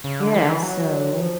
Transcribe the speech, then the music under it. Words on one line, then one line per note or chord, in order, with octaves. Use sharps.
Yeah, so
C#3
D3
E3
D#3
E3
F#3
F3